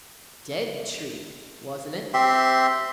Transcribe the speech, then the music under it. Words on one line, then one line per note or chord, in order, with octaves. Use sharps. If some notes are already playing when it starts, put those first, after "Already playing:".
"Dead tree, wasn't it?"
C4 G4 E5 C6